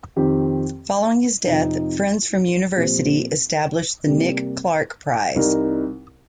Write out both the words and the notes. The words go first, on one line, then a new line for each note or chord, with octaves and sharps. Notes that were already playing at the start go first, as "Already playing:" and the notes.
Following his death, friends from university established the 'Nick Clarke Prize'.
F2 D#3 C4 G4
F2 C3 F3 D#4
A#2 F3 C4 G4 C5
C3 G3 A#3
C2 C3 G3 D#4 A#4